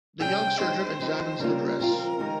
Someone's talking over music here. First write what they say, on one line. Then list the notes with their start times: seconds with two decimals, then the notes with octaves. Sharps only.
The young surgeon examines the dress.
0.20 C3 G3 C#4 G#4 G5
0.59 G#3 D#4 G4 C5
1.00 F3 C4 D#4 G4
1.39 C#3 G3 A#3 F4 A#4
1.79 F3 C4 F4 A#4
2.19 D#3 G#3 D#4 G4